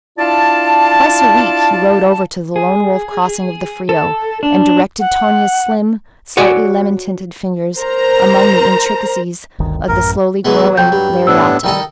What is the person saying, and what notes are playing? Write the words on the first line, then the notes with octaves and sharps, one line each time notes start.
Twice a week he rode over to the Lone Wolf Crossing of the Frio, and directed Tonia's slim, slightly lemon-tinted fingers among the intricacies of the slowly growing lariata.
D4 E4 F4 D5 F5 A5
G#4
A4
D4
F#5
F#4 C#5 D5 G#5
A#4 C5 A#5
G1 D2 D#3
A1 F#2 A#4
E3 F#3 G#3 B3
F2 G5 G6
G2
A2 B3 D4 E6
D#3 G3 D#4 A4